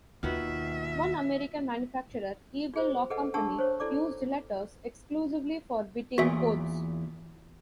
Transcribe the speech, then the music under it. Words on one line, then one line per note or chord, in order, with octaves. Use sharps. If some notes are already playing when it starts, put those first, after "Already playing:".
One American manufacturer, Eagle Lock Company, used letters exclusively for bitting codes.
D#2 B2 D#3 F4 F#4 B4 E5
F4 G#4 C5
G#4 A4 B4 D#5 F#5
D4 G#4 F#5 A5 C#6 E6
C5 C#5
E4 A4 D5 D6
E2 A#2 F#4 E5